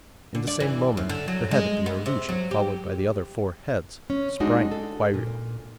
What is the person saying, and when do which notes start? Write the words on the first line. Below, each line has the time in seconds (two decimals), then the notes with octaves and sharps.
In the same moment the head of the aruji, followed by the other four heads, sprang at Kwairyo.
0.35 D3
0.47 D5
0.60 E3
0.97 F#2
1.09 D3
1.28 F#3
1.51 G#3
1.86 B3
2.06 C3
2.29 F#3
2.51 G4
4.10 C#4
4.40 G#3 D4 D#4 F#4
4.72 A4
5.14 A#2